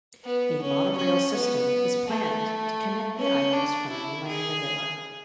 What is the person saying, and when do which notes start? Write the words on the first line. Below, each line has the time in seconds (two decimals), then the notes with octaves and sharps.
A monorail system is planned to connect the islands from mainland Manila.
0.25 B3
0.61 C#4
0.97 C#4
1.34 B3
2.08 A3
3.18 C#4
3.53 D4
3.90 E4
4.27 G#4